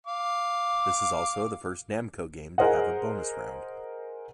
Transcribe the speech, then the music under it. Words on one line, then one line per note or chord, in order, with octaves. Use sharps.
This is also the first Namco game to have a bonus round.
F5 D6
G#4 A#4 C5 D#5 F#5